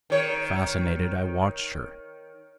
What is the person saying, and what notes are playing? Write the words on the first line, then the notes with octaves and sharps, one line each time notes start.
Fascinated, I watched her.
D#3 C#5